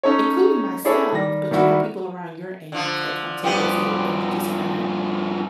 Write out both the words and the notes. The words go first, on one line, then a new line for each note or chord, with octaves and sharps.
including myself, but you have people around your age that come to visit, and you just kinda
C#4 D#4 A4 C#5
D4 E4 G#4 A4 C#5 D5
D#3 G3 A#6
D#3 G3 E4 F#4
D3 F3
G2 F3 B3 C4 G4